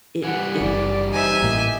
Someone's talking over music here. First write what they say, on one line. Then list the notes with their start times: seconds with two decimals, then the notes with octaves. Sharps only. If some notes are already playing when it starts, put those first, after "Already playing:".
it it
0.24 E3 G3 F#5 G#5
0.61 F#1 D5
1.13 D#4 C5 E5 G#5
1.42 A1 A2 A#3 G4 D#5